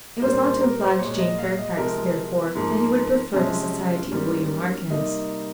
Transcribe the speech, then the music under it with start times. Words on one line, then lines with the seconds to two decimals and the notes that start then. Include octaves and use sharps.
It was not to oblige Jane Fairfax therefore that he would have preferred the society of William Larkins.
0.21 A#2 G3 A#3 C5
0.41 C5
0.61 A#4
0.81 C5
0.99 A#2 G#3 C#5
1.19 D#5
1.38 F5
1.58 D#5
1.77 C3 F3 G#3 A#4
2.55 G#2 F3 A#3
3.34 C3 F3 G#3 C#4
4.12 G#2 G3 A#3 C#4
4.90 C3 G3 A#3 D#4